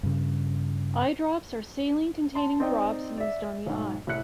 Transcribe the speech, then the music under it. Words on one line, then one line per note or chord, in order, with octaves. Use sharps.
Eye drops are saline-containing drops used on the eye.
G2 C#3
A5 C6
C4 D#4 D5 D#5 G5
D5 E5
B1 G#2
C2 A2 E5 F#6 C#7